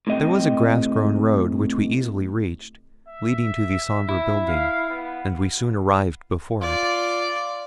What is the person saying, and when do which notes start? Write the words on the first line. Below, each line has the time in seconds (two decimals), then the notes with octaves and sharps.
There was a grass-grown road, which we easily reached, leading to the sombre building, and we soon arrived before it.
0.07 A2 C3 D#5 G5
3.09 E5
4.09 E4
4.48 F5
4.91 B3
6.61 F4 D5